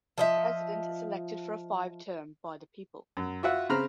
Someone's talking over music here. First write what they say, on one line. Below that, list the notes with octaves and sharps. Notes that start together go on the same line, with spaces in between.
The president is elected for a five term by the people.
F3 D#5 E5
F#2
F4 F#4 E5 F#5
C#3 C4 A#5 B5 F6